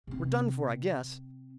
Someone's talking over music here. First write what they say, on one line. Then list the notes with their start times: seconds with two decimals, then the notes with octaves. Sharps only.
"We're done for, I guess."
0.07 C3 C4